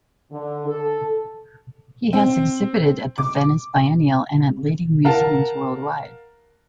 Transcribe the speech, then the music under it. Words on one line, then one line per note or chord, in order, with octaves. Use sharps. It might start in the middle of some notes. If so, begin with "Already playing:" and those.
He has exhibited at the Venice Biennial and at leading museums worldwide.
D3
A4
C4
D6
A#4 F5 F#5 A5